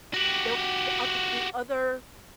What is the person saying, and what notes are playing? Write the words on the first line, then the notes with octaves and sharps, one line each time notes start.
They'll g other The other
F#4 G4